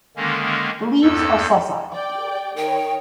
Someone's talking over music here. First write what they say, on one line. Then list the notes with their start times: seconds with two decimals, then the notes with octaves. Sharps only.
The leaves are sessile.
0.16 D3 D#3 G#3 A#3 C#4
1.02 E2 G2 A4 E6
1.93 D5 G5
2.57 D#3 C#5 G5